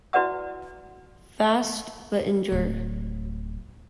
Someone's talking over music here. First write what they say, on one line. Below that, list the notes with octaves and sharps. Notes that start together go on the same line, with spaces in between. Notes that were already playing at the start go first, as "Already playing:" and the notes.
Fast, but endure.
E4 F#4 B4 D5 F#5 D#6
D1